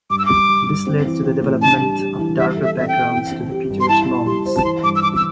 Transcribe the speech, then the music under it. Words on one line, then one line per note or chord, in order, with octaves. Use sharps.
This led to the development of darker backgrounds to the pitchers mounds.
G2 D6
E6
G3 D6
G3
G2
C4
E3
C4
A2
D4 A5
G3
G3
E3
G3 E5
A4
E5
C4 E5
G5
C4
E3
C4
G4
G2
C6
E4 A5
E4
G3 C6
C5
A5
E3 C6
G2 D6
E6
E3 D6
E6